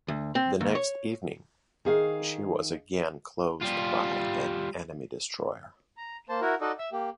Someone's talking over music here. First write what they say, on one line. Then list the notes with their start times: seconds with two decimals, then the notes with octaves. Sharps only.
The next evening, she was again closed by an enemy destroyer.
0.08 D2
0.35 C4
0.61 D#2
0.75 C#5
1.85 D#3 G#4 F5
3.62 G3 F4
5.97 A#5
6.29 A#3 C5 A5
6.41 E4 F#4 A#4
6.61 D#4 F#4 A4 D5 D#5
6.79 E5 E6
6.92 A#3 G4